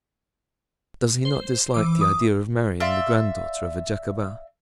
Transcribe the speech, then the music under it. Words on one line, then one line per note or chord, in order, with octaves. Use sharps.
"Does he not dislike the idea of marrying the granddaughter of a Jacobin?"
C5
E3 D6
D#6
D5 E5 F5 C6